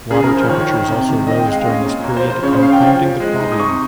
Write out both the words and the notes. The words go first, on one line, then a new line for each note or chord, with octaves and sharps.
Water temperatures also rose during this period, compounding the problem.
C#3 G#4
A#4
F3
C5
D#3 C#5
D#3
C3
D#3
C4 D#5
G5
G#3
F5
C#4 D#5
A#2
A#3 C#5
C5
F3
C5
C#3 C#5
C5
C#4 F5
G5
F3
F3
G#3
D#4
D#6
C3 C#6